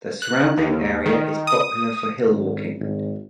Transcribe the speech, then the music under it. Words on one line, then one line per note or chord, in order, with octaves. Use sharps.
The surrounding area is popular for hill-walking.
F#6
D#2
D#3
D#6
G#1
G#1